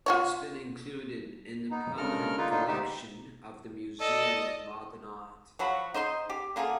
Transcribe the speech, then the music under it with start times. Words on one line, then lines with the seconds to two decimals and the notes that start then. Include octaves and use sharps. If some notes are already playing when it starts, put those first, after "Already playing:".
It has been included in the permanent collection of the Museum of Modern Art.
0.06 F4 F#4 C#5
1.71 B3 D#4
1.97 G2 C#3 G#3 A4 A#4 F6
2.38 D3 A#3 D#4 F4 B4
2.51 A2 D4 D#4 F4
2.68 D2 G#2 B3 D#4 G4 E5
4.00 A4 D5 D#5
5.59 F3 F#3 F#4 B5
5.94 D#4 C5 D#5 C6
6.30 G4
6.56 D3 A#3 F4 G#4